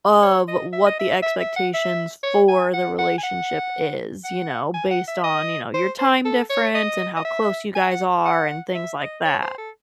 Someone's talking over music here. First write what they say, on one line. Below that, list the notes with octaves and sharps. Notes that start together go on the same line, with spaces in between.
of what the expectations for the relationship is, you know, based on, you know, your time difference, and how close you guys are, and things like that.
C#5
D#5
E5
D#5
E5
E5
E5
F#5
E5
C#5
G#5
F#5
F#5
G#5
F#5
F#5
G#5
F#5
E5
D#5
C5
C5
A4
C#5
D#5
D#5
E5
G#5
F#5
F#5
E5
D#5
C#5
C5
A4